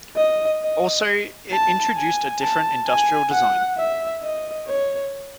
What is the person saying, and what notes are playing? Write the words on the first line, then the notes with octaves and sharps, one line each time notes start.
Also it introduced a different industrial design.
D#5
D#5
A5
G#5
A5
G#5
F#5
E5
D#5
C#5